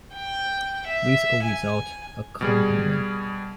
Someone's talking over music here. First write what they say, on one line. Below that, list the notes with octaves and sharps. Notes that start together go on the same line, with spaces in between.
With or without accompaniment.
G5
E5
G#5
B2 G3 G#4